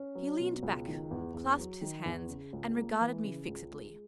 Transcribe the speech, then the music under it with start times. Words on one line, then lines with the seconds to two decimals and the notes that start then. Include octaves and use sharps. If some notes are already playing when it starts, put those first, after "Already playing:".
He leaned back, clasped his hands, and regarded me fixedly.
Already playing: C#4
0.15 F#3
0.40 B2
0.63 C#2
0.88 D#3
1.11 E2
1.34 E2
1.59 F#3
1.81 D#3
2.05 E2
2.29 C#3
2.53 C#2
2.77 A#3
3.01 E3
3.24 C#3
3.48 C#2
3.71 G#3